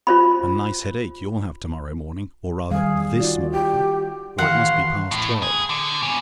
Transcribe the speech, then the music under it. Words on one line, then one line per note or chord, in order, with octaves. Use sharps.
A nice headache you'll have to-morrow morning--or rather THIS morning; for it must be past twelve.
F4 C5 B5
D#3 G3 G#4 F5
D#4 F4 F#4 D5
G4
A2 D#3 E3 F#4 F5 F#5 C6
A2
G#4
D3
B2 G#5